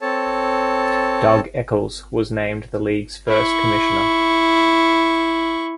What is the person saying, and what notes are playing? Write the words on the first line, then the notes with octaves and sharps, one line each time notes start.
Doug Echols was named the league's first Commissioner.
C4 A4 C#5 A5
E4 C#6